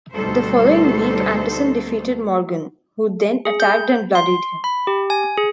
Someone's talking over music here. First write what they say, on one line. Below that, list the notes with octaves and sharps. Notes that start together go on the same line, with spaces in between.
The following week Anderson defeated Morgan, who then attacked and bloodied him.
D2 B2 G3 D#4 A4 C5
G#4
G6
C6
B5
G4
G#5
G#4